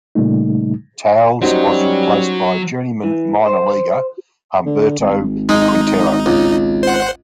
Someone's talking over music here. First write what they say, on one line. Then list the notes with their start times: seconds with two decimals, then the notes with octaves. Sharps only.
Towles was replaced by journeyman minor-leaguer Humberto Quintero.
0.15 A#2 C#3 G3 A3 D#4
1.42 F#3 G3 C#4 D#4 F#4 C5
3.04 E3
3.46 C5
4.66 D3
4.99 G#1
5.49 G#3 D#4
6.26 C#2
6.83 C5 F#5